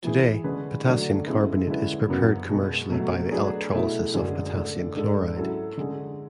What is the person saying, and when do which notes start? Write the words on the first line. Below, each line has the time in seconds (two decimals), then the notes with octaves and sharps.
Today, potassium carbonate is prepared commercially by the electrolysis of potassium chloride.
0.04 E3 B3 E4 G#4
0.44 D3 G#3 C#4 G#4 B4
0.85 D3 F#3 A3 D4
1.26 C#3 G#3 B3 E4 A4
1.67 D3 G#3 C#4 E4 B4
2.09 F#2 C#3 F#3 B3
2.49 B2 G#3 B3 F#4
2.90 B2 F#3 A3
3.31 F#3 A3 D4 G#4 B4
3.73 B2 A3 E4 G#4
4.14 F#2 D3 G#3 D4 G#4
4.55 D3 A3 D4 A4
4.96 G#2 G#3 D4 A4
5.36 F#3 C#4 E4 A4
5.78 D3 G#3 C#4 G#4